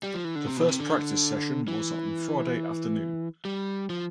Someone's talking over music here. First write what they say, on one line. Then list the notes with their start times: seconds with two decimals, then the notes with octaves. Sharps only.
The first practice session was on Friday afternoon.
0.03 G3
0.14 F3
0.25 E3
0.36 D3
0.47 C3
0.57 B2
0.68 C3
0.80 D3
1.68 E3
3.45 G3
3.90 F3